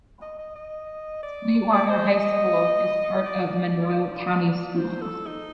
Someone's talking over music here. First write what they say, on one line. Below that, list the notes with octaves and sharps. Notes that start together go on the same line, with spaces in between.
Sweetwater High School is part of Monroe County Schools.
D#5
D#5
D#5
D5
D5
C5
D#5
D5
C5
A4
D#4